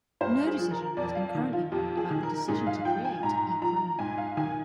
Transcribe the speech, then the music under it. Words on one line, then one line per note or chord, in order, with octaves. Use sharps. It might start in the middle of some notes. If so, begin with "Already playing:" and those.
No decision has been currently made about the decision to create "e-krona".
G2 C5
G#4
F3
A#4
F2 D5
F5
D#3
F4
F2 G4
G#4
D#3
A#4
G#2 G#4
F5
F3 G5
G#5
G#2 A#5
F3 A#5
G#2 G#5
F5
D#3 G#5